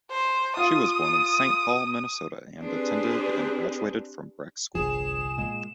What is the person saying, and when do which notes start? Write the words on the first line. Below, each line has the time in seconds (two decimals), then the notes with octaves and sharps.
She was born in Saint Paul, Minnesota, and attended and graduated from Breck School.
0.11 C5
0.57 F4 D#6
2.58 C4 D4 G4 G#4 B4 C5
4.75 G1 C2 F3 G#4 E7
5.38 A#2 G#3